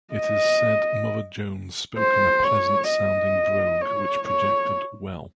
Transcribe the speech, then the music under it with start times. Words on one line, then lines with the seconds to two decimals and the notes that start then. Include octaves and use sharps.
It is said Mother Jones spoke in a pleasant-sounding brogue which projected well.
0.14 D#5
1.98 C5
2.43 C#5
2.89 D#5
3.81 C#5
4.27 C#5